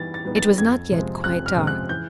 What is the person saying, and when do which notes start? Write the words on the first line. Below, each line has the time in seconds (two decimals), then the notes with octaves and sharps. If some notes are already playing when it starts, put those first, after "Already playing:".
It was not yet quite dark.
Already playing: E3 G3 B3 D#4 A6
0.14 A6
0.25 G3 B3 D#4
0.36 A6
0.58 F2 G#6
0.92 C3 F3 G#3 C4
1.24 F2 F#6
1.46 F6
1.56 C3 F3 G#3 C4
1.67 F#6
1.89 E3 G6